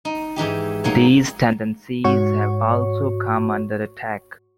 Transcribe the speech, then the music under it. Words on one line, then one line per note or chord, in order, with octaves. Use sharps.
These tendencies have also come under attack.
D#4
G#2 E3 D#4 G4
F#3 G#3 A#3 D#4 C#5
G#2 F#4 C#5 C#6